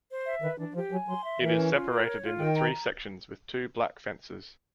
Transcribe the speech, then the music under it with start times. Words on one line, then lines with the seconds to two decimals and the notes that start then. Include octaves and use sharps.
It is separated into three sections with two black fences.
0.09 C5
0.26 E5
0.42 D#3 B4
0.59 E3 D4
0.74 F3 G4
0.91 F#3 G#5
1.08 F#3 C6
1.24 E5
1.40 E3 A#4
1.57 C#4
1.73 F4
1.89 A#4
2.06 C#5
2.22 F4
2.38 D#3 G5
2.55 A#5